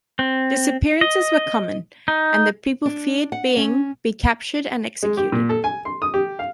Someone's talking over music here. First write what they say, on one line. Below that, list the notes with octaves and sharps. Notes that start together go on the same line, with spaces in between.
Disappearances were common, and the people feared being be captured and executed.
C4
D#5
D#4
D4
F#5
C#4
G#3
G4
A#2
A4
G#5
C6
D#6
G4
F5